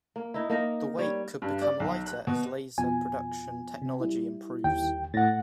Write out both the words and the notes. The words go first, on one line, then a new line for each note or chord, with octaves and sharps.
The weight could become lighter as laser production technology improves.
A#3
D#4 E4
A#3 D#4 A#4
G3 C#5
G2
D5
B1
F#6
B2
F2 B2 F3 G#5
C3
G3 E4
D#2 G5
A2 F#5 A6 A#6